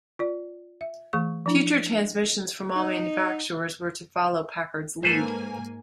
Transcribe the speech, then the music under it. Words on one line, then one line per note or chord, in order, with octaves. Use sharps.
Future transmissions from all manufacturers were to follow Packard's lead.
F4 D5
E5
E3 A3 G#4 C#6
F3 D4 E4
D#4
G#2 A#3 A4 B4 C5 G#5